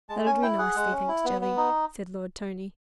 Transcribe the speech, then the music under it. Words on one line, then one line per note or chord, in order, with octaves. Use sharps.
"That'll do nicely, thanks, Jelly!" said Lord Tony.
G#3 A5
C#4 G#5
E4 G5
G#4 F#5
G#3
C#4
E4
B3
B3
D#4